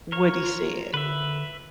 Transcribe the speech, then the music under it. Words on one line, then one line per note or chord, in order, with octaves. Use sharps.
what he said,
A#4 C#5
F4
D3 B4 E5